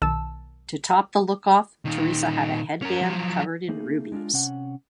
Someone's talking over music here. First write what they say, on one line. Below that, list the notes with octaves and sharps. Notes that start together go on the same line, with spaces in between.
To top the look off Theresa had a head band covered in rubies.
B1 D#3 A5 E6
A#2 D#3
C#4 A#4
F3 F#3
A3 A#3 D#4 G#4
G#3 D4 E4 F4
C3 C#4 F#5